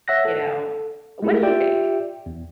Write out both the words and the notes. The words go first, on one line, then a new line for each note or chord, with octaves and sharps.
You know? What do you think?
C#5 E5 F#5 F#6 A#6
A4
G#3 A3 E4 G4 G#4
F4 G4 D5 E5 G5
E2